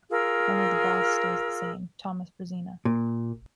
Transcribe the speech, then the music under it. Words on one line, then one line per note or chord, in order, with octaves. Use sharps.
Only the 'boss' stays the same: Thomas Brezina.
F4 G#4 A#4 E6
A#2